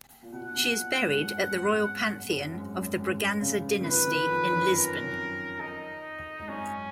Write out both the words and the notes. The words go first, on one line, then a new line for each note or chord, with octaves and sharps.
She is buried at the Royal Pantheon of the Braganza Dynasty in Lisbon.
A#2
B2 F#5
B2
A#2
G#2
F#2
G#2
F#2
F#2
G#2
F#2
G#2
C#3
D#3
F3 B4
D#3
F2
F#2
F2 A#4
F#2
D#4
G#2
F#2 C#4